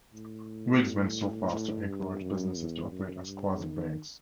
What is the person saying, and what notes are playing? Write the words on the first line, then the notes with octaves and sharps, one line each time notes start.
Whigs went so far as to encourage businesses to operate as quasi-banks.
A2
A2
G2
F#2
E2
F#2
G2
D#3